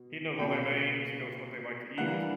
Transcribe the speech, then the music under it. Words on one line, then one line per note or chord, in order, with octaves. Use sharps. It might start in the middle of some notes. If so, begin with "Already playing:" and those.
he knows all their names, he knows what they like to eat.
Already playing: B2
B2 A#3 C#4 G5 G6
E3 G3 A#3 D4 F#5 F#6